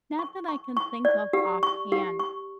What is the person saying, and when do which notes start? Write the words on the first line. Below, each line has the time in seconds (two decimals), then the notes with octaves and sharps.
Not that I can think of offhand,
0.19 C#6
0.48 C#6
0.77 C#6
1.05 D5
1.33 G4
1.63 C#6
1.92 G4
2.19 C#6